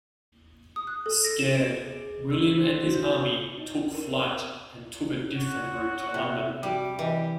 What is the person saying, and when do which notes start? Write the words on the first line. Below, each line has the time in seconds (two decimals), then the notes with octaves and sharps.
Scared, William and his army took flight and took a different route to London.
0.76 D#6
0.87 F#6
1.06 A4
1.24 A#6
1.39 E7
1.55 D7
1.87 G#4
2.30 E6
2.58 C5
2.83 F#4
2.95 G6
3.58 D#4
3.95 A#4
5.34 F#4 C#5
6.14 C3 E5
6.63 G3 F#4 D6
6.99 E3 G4 D#5